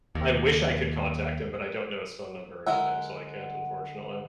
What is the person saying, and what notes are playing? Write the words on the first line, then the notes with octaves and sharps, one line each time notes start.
I wish I could contact him, but I don't know his phone number or anything, so I can't, unfortunately.
D#2
D3 G#3 A#4 E5 F#5